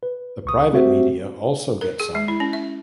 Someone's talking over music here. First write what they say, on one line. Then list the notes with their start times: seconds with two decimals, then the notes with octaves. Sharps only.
The private media also get some.
0.03 B4
0.45 C#2 C#6 D#6
0.73 A3 C4 F#4 G4 C5 E5
1.81 A#4
2.00 G#4
2.15 G#3
2.28 E4
2.40 C#4
2.53 E5